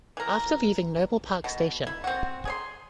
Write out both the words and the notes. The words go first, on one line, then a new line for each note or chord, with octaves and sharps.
After leaving Noble Park Station.
E3 A#4
B2
E4
C4 F#4
G#4 C#5 C6